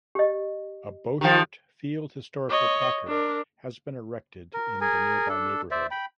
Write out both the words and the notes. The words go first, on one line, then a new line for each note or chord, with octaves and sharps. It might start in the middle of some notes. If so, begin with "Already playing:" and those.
A Borchert Field historical placard has been erected in the nearby neighborhood.
G4 D#5
D#3 F3 G4 G5
C#5 D#5
D4 A#4
A#4
G#4 A#4 G#5
D4 A4
C5 D5 E5
G5 B5